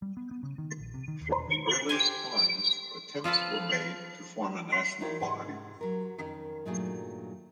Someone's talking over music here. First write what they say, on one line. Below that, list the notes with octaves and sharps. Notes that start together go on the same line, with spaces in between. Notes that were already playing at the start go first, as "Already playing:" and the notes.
From the earliest times attempts were made to form a national body.
G3
B3
B3
C#3
D#3
A#1
C3
D#3
D#2
E1
D#3
G4 C5 G#5
F3 F4 A4 B4
D#4 E4 F#4 A#4 C#5 D5
G#2 C3 G#3 F#5
F#3 A#4
F2 D#3 C#4 A#4
G2 A#2 D#3 F#3 A3 G#4